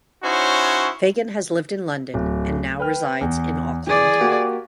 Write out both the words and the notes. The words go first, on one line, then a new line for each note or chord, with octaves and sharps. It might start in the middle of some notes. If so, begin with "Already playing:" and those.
Fagan has lived in London and now resides in Auckland.
C#4 D#4 E4 F#4 C5 C#5
D1
B4 G5 F6
E2
E3 G#4 D5
A#3 F#4 G4